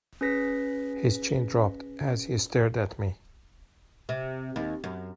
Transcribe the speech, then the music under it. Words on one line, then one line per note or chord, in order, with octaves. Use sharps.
His chin dropped as he stared at me.
C#4 G#4 B4 A#6 B6
C3
D#2
F#2